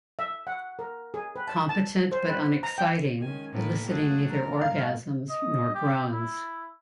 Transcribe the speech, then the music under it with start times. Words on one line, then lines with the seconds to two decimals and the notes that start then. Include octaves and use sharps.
Competent but unexciting eliciting neither orgasms nor groans.
0.19 E5
0.47 F#5
0.79 A#4
1.14 G#4
1.36 B4
1.47 A5
1.69 A5
2.12 C5
2.28 B4
2.63 A#5
2.78 G5
3.21 D#3 G#3 C#4 G#5
3.52 A2 A#3 B4
3.87 F#1 E3 G#3 A3 D4 F#4 G#4
4.32 A#4
4.61 A2 G3 B3 F5
5.30 D#5
5.74 G4
6.12 E4